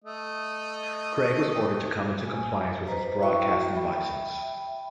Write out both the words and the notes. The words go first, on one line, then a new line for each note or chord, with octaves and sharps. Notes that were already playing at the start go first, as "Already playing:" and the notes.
Craig was ordered to come into compliance with its broadcasting licence.
A3 D#5
G#5
B4 C5 D#5 A#5
E4 F#4 E5 G5 C#6
E5 G5 B5